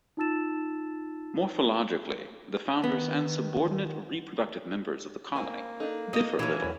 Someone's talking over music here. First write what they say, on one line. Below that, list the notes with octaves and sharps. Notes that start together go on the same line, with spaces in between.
Morphologically, the foundress and subordinate reproductive members of the colony differ little.
D#4 F4 A5 E6 A6 E7
D#3 B3
A#3 C4 A4 G#5
D4 D#4 A4
A3 D#4 F4 D#5
E3 F#3 C#4
E2 E4 C#5